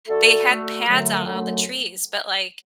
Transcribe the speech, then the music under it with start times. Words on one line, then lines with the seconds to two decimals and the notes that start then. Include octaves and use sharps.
They had pads on all the trees, but like,
0.07 D3 A3 F#4 A4
0.46 D3 A3 F#4 A4
0.85 F#2 D3 F#3 A3
1.25 F#2 D3 F#3 A3